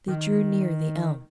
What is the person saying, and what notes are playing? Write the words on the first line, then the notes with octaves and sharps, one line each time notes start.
They drew near the elm.
D#3